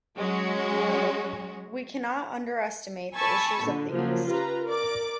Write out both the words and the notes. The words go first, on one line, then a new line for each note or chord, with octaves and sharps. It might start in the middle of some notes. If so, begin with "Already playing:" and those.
We cannot underestimate the issues of the East.
F#3 G#3 C#4 F#4
G#5 A5 B5 C#6 E6
A#2 D3
C#3 F3 F#3 A#3
F4 G4 B4 A#5
A#4 D5 D6